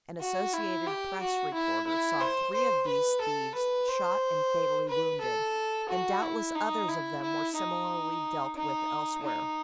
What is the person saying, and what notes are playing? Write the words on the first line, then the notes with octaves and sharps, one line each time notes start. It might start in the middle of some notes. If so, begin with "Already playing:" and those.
An associated Press reporter saw three of these thieves shot and fatally wounded, and doubtless others of them were similarly dealt with elsewhere.
F#4
E4
G4
F#4
E4
E4
C5
C5
B4
A4
B4
C5
B4
A4
F#4
E4
D#4
E4
E4
D#4
D#4
D#4